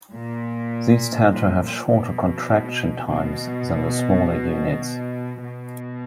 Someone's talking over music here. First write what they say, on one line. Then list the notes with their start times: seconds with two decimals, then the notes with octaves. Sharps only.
These tend to have shorter contraction times than the smaller units.
0.13 A#2
1.31 A#2
1.62 A#2
1.90 B2
3.08 B2
5.43 B2